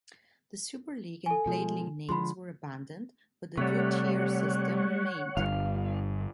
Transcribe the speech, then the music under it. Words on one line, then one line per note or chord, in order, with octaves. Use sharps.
The Super League and Plate League names were abandoned, but the two-tier system remained.
A4 G#5
B2 F3 G#3
D3 F3 G#3 B5 C6
C3 G3 A3 C#5 F#5
G1 G2 F5